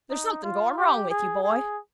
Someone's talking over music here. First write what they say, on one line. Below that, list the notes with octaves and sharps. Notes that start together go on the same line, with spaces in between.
There's something going wrong with you, boy.
D#4
F4
G4
G#4
G#4